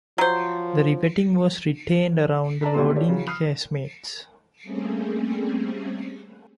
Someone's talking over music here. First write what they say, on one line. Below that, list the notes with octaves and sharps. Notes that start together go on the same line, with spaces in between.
The revetting was retained around the loading casemates.
F3 F#3 C5
D5 A5 A#5 B6
D#2 B2 G3 A3 B3 C6
F4 G4 A4 C#5 D5
C#3 E3 F#3
B5 D#6 F6 C7
G3 A3 A#3 C4 C#4 G#4